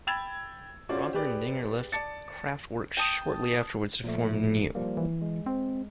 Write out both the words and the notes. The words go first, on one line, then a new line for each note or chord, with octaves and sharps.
Rother and Dinger left Kraftwerk shortly afterwards to form Neu!
G5 B5 E6 G#6 A6 F7
C#4 F4 F#4 C5 D5
G4 G#4 B4 D5
D5 A5 A6 C#7
G5 A5 D#6
A#2 F3 A3
F3 G3 A#3
E3
G#3
C4